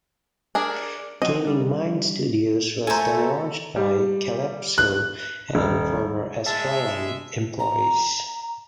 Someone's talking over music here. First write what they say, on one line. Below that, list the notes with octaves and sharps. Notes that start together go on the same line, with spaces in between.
Gaming Minds Studios was then launched by Kalypso and former Ascaron employees.
D4 G#4 A#4
F3 F#3 C4 D#5
G3 D4
A3 A4 C5 G#5 A#5
G3
F#6
D#1
G#3 E5 A5
A#5